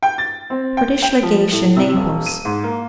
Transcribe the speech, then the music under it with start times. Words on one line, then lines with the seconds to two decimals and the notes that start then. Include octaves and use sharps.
British Legation, Naples.
0.03 G5
0.18 A6
0.50 C4
0.77 G5
1.02 G5
1.23 F3
1.52 A2
1.76 C3
1.96 D#1
2.26 D#7
2.45 G#2
2.64 A#3